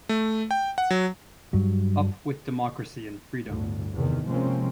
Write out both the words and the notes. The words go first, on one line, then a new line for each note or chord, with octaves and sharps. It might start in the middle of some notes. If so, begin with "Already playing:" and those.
Up with democracy and freedom!
A3
G5
F#5
F#3
G2 F#3
G1 D2 A2
E2 C3 D#3
C3 F3 G#3 A#3 C4 C#4